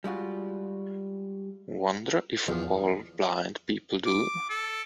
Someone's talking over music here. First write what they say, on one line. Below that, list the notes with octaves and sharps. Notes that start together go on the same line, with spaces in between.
Wonder if all blind people do?
G3 G#3 F4 F#4
E2 F3
D6
A4